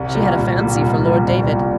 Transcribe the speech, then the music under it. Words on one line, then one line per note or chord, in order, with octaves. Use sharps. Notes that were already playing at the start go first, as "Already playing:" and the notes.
She had a fancy for Lord David.
Already playing: C2
A#2 G3
C2
A#2 G3
C2
A#2 G3
C2
A#2 G3